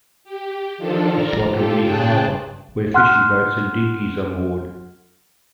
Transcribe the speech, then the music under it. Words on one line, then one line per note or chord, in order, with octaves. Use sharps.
It's like a mini harbor where fishing boats and dinghies are moored.
G4
D#3 F3 D4 F4 A4
D5 A#5 F6
F4 G4 A4
C#3 G#4 G5 A5 F#6 A6
F#5 C6 F6 F#6